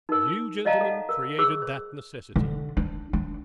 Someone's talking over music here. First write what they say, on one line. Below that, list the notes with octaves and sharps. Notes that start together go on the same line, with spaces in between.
You, gentlemen, created that necessity!
D#4 A#4
C5 D5 D#5 F5 A5 A#5
A4 F#5
A#4
G#4 C5 D6 E6
C5
D3
D4
D4